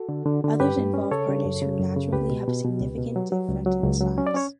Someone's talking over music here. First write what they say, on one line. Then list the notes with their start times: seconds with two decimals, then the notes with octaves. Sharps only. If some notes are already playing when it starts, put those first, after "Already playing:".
Others involve partners who naturally have a significant difference in size.
Already playing: F#4 A4
0.09 D3
0.26 D3
0.44 D3
0.60 G2 G4 B4
0.77 G2
0.94 C#4
1.11 C#3 A4 C#5
1.28 C#3
1.45 F#2
1.62 C#3
1.79 F#2
1.96 C#3
2.13 C#2 G4 B4
2.30 B2
2.48 B2
2.65 B2
2.81 C#2
2.98 B2
3.16 F#3
3.32 F#3
3.49 C#2
3.66 F#3
3.84 C#2
4.01 F#3
4.18 C#4
4.27 D5
4.34 C#4 C#5